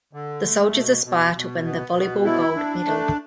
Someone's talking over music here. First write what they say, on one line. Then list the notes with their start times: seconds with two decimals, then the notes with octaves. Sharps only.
The soldiers aspire to win the volleyball gold medal.
0.13 D3
0.44 A3
0.74 B2
1.04 B2
1.34 B2
1.65 B3
1.94 B2
2.25 E4
2.56 D4
2.86 A3